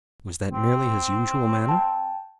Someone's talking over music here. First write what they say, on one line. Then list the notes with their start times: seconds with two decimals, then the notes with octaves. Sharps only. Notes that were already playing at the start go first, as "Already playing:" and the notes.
Was that merely his usual manner?
0.53 C4
1.69 G5 A5